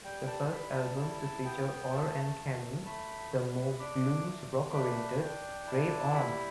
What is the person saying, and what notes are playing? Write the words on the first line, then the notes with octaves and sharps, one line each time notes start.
The first album to feature Orr and Kenney, the more blues rock-oriented Rave On!!
G3 G5
A5
G3 B5
A5
E4 A5
B3 G5
A3 A5
A3
A3 B5
D4
D4 D6
A3
D4 B5
D4 G5
E4 A5
G3 B5